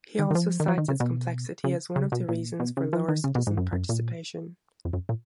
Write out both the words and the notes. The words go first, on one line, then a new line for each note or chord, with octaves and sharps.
He also cites its complexity as one of the reasons for lower citizen participation.
D#3
D#3
F3
D#3
F3
D#3
C#3
B2
C#3
C#3
B2
A#2
B2
C#3
F3
D#3
C#3
B2
G#2
F#2
F#2
A#2
F2
F#2
A#2